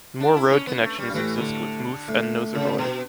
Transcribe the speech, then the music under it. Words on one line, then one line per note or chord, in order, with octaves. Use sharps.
More road connections exist with Mouthe and Nozeroy.
D4
E4
C#4
B3
A3
G3
G2
A2 E3
D3
A2
C#3
B2